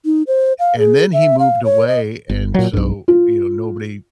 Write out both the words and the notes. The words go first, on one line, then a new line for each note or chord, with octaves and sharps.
and then he moved away, and so, you know, nobody
D#4
C5
F5
G#4
E5
F5
C#5
D#5
G1
A#2 F#3
B1 G2
F4